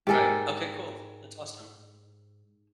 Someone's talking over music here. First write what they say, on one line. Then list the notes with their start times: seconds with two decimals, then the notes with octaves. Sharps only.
Right. Okay. Cool. That's awesome.
0.07 G#2 G4 A4 A#4 G#5